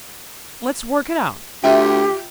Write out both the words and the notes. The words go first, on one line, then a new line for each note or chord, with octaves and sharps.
Let's work it out.
D2 F4 G4 E5 G5